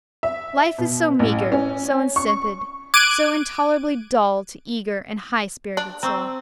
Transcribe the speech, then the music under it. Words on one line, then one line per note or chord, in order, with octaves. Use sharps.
Life is so meagre, so insipid, so intolerably dull to eager and high-spirited souls!
E5
B2
A1
C#4
C#6
D6 F#6 G#6 D7 D#7
D4
C4 A#5 C#6 E6